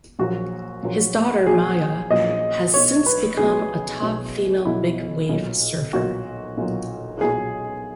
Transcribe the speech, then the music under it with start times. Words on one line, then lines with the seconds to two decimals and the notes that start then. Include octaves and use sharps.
His daughter Maya has since become a top female big wave surfer.
0.19 A#1 A#2 F#3 F#4
0.83 A#1 A#2 F#3
1.46 A#1 A#2 F#3 G#4
2.10 A#1 A#2 F#3 D#5
2.74 B1 B2 F#3 C#5
3.06 B4
3.37 B1 B2 F#3 G#4
4.02 B1 B2 F#3
4.65 B1 B2 F#3 E4
5.29 B1 A#2 F#3
5.93 B1 A#2 F#3 F#4
6.57 B1 A#2 F#3
7.21 B1 A#2 F#3 G#4